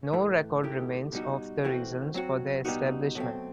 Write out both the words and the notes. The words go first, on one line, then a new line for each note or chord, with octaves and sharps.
No record remains of the reasons for their establishment.
A2 E3 A3
D#3 A3 E4 G4
B2 G3 D#4 F#4
E3 A3 C4 F#4
F#3 C4 F#4
B2 G3 B3 D#4 F#4
B2 F#3 A3 C4